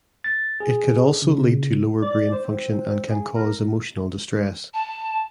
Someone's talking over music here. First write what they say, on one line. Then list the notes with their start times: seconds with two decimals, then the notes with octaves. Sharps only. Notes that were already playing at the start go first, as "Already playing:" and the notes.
It could also lead to lower brain function and can cause emotional distress.
0.24 A6
0.60 G#4
1.22 C#3
2.02 D5
2.32 C5
2.44 C4
3.07 G#4
3.35 A#4
4.73 A5